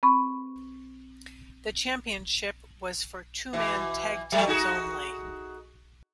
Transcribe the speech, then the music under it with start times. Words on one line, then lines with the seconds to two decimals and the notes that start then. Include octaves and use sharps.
The championship was for two-man tag teams only.
0.03 C4 B5 C#6
3.53 B2 E3
4.32 F#3 G3 A3
4.47 D#4 F#4 G#4